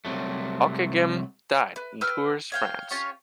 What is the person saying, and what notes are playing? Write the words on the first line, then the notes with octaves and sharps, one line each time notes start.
Ockeghem died in Tours, France.
C2 C3 F#3 A3
B4
B4 G5 E6 F6
C#5 F5 G5
C#4 F4 G4 C#5